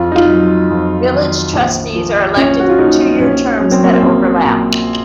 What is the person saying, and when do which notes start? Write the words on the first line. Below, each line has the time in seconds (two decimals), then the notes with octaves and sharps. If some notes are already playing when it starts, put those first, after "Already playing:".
Village trustees are elected for two year terms that overlap.
Already playing: F2 F4
0.12 D#4
0.16 F4
0.29 F#3
0.71 F2
1.12 D#3
1.53 A#1
1.95 F3
2.36 A#1 C#4
2.60 F#4
2.69 F4
2.78 A#2 D#4
3.19 A#1 C#4
3.60 F#3 C#4
3.72 C4
3.83 A#3
3.94 C4
4.02 A#1
4.44 A#2